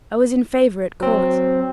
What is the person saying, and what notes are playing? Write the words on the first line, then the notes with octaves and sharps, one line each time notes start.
I was in favour at Court.
F#3 C4